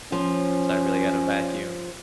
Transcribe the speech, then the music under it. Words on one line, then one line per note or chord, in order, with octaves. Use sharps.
so I really gotta vacuum.
F3 C#4